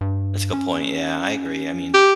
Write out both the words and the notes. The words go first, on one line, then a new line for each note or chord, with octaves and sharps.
That's a good point, yeah, I agree. I mean
G2
C#4
G4